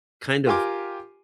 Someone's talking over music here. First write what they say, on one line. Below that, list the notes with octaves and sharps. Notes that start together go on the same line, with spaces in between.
kind of
F4 G4 A#4 G#5 C6 D6